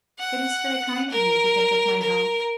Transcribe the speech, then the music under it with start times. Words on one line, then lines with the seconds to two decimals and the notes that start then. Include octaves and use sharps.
It is very kind of you to think of my health.
0.19 F#5
1.10 A#4
2.01 A#4